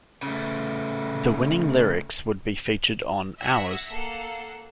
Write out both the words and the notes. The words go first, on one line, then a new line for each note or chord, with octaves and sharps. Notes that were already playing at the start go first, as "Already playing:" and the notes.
The winning lyrics would be featured on "Hours".
C#3 A3
E5 F#5 E6 G#6 A#6 C7
A#3 A4 F#5 C7